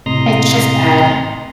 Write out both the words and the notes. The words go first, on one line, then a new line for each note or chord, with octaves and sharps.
It's just bad.
A2 C3 D#5 A#5 C6 A#6